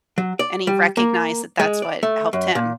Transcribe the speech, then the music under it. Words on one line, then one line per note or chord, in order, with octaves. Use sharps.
and he recognized that that's what helped him.
F#3
D5
G3
A#3
G#3
D5
A3
F#2
A#2